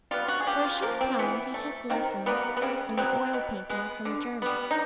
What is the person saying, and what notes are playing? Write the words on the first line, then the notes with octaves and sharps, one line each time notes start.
For a short time he took lessons in oil painting from a German.
G3 B3 F4
F#4
G#4
C#3 G4
F4
F3 A#3
C4
E3 B3
A3
D#3 C4
G3 A#3 B3
B3
C#3 C4
F#3 B3 C4
B2
G#3 B3
D3
G3 B3
D#4